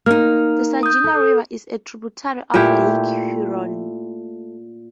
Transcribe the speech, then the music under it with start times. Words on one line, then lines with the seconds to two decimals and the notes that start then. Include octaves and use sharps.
The Saginaw River is a tributary of Lake Huron.
0.06 A#3 D#4 F6
0.83 D#6 G6
1.04 A4
2.54 A#2 A3 E4 G4